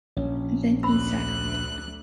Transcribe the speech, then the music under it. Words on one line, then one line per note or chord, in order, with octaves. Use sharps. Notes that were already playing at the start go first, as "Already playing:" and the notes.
Then he sat up.
A#1 C#4
D2 B5 E6 F#6